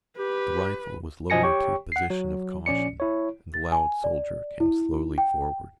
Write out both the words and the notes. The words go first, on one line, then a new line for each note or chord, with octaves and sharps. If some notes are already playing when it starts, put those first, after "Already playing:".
The rifle was lowered to a position of caution and the loud soldier came slowly forward.
G4 B4
B1 F3 D#5 G#5 A#6 C#7
G4 C#5 G5 C#6
F#5 C7
F#3
A#1 C#4 D5 C#7
E4 C#5
A6
G#5
D5
E4
G5